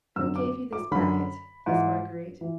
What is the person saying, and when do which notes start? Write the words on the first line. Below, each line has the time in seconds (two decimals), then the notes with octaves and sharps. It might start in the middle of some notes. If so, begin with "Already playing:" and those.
"Who gave you this packet?" asked Marguerite.
0.16 F#2 E6
0.19 D3
0.36 D6
0.73 D6
0.91 F#2 D3 B5
1.66 G#2 E3
2.41 E3